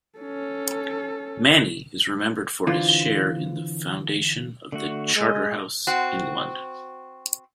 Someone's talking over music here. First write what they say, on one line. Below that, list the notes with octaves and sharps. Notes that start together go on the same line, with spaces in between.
Manny is remembered for his share in the foundation of the Charterhouse in London.
C#4 A4
D3 E3 C4 F4
D3 A3 F#4
G#3 D#5
C4 F#4